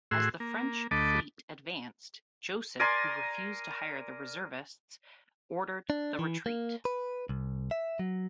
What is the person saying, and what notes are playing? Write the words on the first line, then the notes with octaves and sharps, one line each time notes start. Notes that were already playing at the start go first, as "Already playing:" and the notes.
As the French fleet advanced, Joseph, who refused to hire the reservists, ordered the retreat.
A2 F#4 G#4 C6 E6
A#3
D2 A3 D#5 A5 B5 D6
A#4 D5 G#5 C6
D4
E3
A#3
B4
C2
E5
F#3